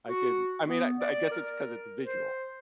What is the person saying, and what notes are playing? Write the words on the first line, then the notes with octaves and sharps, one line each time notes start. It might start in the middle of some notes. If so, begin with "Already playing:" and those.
I could I mean, I I guess it's because it's visual,
F#4
B3
D5
A#4
C5